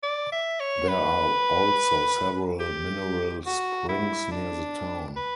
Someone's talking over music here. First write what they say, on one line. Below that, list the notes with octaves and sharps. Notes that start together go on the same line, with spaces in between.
There are also several mineral springs near the town.
D5
E5
C#5
B4
G4
F#4
E4
D4
B4